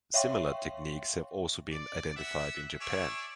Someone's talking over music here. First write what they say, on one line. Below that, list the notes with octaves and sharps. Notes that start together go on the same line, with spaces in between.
Similar techniques have also been identified in Japan.
C#5 E5 F5 G5 C6 C#6
D5
E5 F#5
G#4 C#5 D5 E5